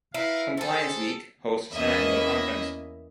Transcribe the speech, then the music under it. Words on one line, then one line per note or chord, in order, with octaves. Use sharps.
"Compliance Week" hosts an annual conference.
E4 A#4 B4 F5
C4 G#4 A4
E2 A#3 C#4 D#5 E5 B5